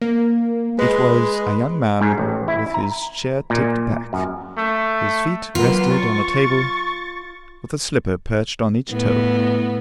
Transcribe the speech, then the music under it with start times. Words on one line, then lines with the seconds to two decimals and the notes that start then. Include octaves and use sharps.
It was a young man with his chair tipped back; his feet rested on a table, with a slipper perched on each toe.
0.02 A#3
0.79 G#3 B4
2.01 G#2
2.18 A1
2.48 E4
2.74 A#5
3.50 A#2
4.13 F#2
4.58 A3
5.55 F#3 A#3 B3 F4
5.93 C#6 A6
8.90 A2 B3